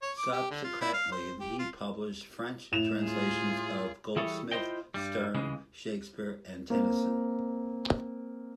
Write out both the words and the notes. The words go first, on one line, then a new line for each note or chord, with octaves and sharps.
Subsequently he published French translations of Goldsmith, Sterne, Shakespeare, and Tennyson.
C#5
D6
G4
D3
F4
E4
F5
C5
G4
F4
A2 E7 F7
F4 G#4
E3 G3 E4 G#4 A4 C#5
E4 F4 G4 C5 D#5 G5
G2 G3
C#3 E3 G#3
A#3 C4